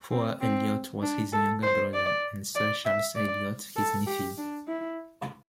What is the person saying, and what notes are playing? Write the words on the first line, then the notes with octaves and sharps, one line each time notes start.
Hugh Elliot was his younger brother and Sir Charles Elliot his nephew.
C4
C4
D4
A4
C5
D5
D5
E5
D5
A4
G4
D4
E4